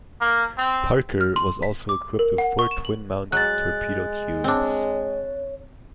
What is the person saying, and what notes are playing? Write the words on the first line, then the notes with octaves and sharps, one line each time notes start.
"Parker" was also equipped with four twin mount torpedo tubes.
A#3
C4
F6
C6
B6
D6
A#4
F#5
C#6
E7
F#7
F#3 G#3 F#6 A6
C4 D4 C#5